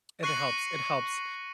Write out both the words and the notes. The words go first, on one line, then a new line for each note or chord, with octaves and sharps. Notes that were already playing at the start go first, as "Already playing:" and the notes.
it helps it helps
C#6 F#6 A#6 C7 C#7 F#7